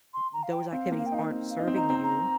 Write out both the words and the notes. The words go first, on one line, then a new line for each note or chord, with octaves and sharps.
th those activities aren't serving you,
C6
A#5
F5
G5
C4 F5
A#3
F5
G5
D#4 F5
C4
F5
D#4
C4
D#4 A#5
C4
A#5